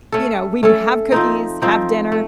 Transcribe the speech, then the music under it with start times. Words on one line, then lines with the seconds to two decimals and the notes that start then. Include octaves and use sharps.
y you know, we'd have cookies, have dinner,
0.12 A3 C#4 A4
0.63 A3 C#4 A4
1.12 F3 C4 D#4
1.62 F3 C4 D#4
2.12 A3